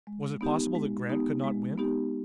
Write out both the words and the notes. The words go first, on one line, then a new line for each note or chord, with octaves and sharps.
Was it possible that Grant could not win?
G#3
B3 D#4 G4
G#3
B3 D#4 G4
G#3
B3 D#4 G4